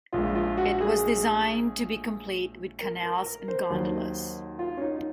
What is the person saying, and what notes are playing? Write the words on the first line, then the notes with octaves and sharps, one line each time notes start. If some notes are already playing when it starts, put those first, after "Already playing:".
It was designed to be complete with canals and gondolas.
A#1 A#2 G#3 F4
F4
F#4
G#4
A#4
A#4
A#4
C5
D#2 D#3 F#3
F4
C#4
D#4